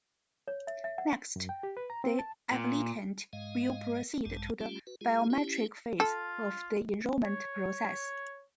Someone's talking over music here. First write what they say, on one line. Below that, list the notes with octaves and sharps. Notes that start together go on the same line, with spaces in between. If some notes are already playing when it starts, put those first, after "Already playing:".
Next, the applicant will proceed to the biometric phase of the enrollment process.
C#5
E5
E5
F#5
F#2
G5
G4
B4
A#5
C4
A5
A#2
G#2 G#3 D#5 F5
A#1 G2 G#3 A5
G3 A3 C#4 F4 G4
F#4 B4
G#3 F4 G#4
C#4 E4 G4
F4 A4
C#5